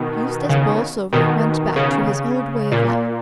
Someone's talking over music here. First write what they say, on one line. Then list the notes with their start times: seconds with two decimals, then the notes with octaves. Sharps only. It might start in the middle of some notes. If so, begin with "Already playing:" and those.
Eustace Borlsover went back to his old way of life.
Already playing: B2 D#3
0.49 C#3
1.13 B2 D#3
1.76 C#3
2.72 A#2